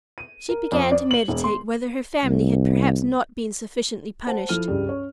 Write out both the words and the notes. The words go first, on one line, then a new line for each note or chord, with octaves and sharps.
She began to meditate whether her family had perhaps not been sufficiently punished.
D#7
A#4
F2
D5
F#7
E1
C6
C2
C5 F#5 A5
F3 E4 A4 F6 D#7
C#2 G2 G3 G#4
C#4 C#5